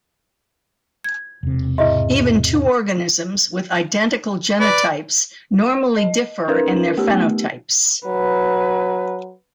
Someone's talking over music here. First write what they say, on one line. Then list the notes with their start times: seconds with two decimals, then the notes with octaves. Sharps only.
Even two organisms with identical genotypes normally differ in their phenotypes.
1.04 G#6
1.43 E1 C3
1.78 G#2 E4 D#5 E5
4.60 B4 D5
5.96 D#5
6.48 C#4 D#4 A#4 B4
6.98 A3 B3 G4
8.07 F#3 B4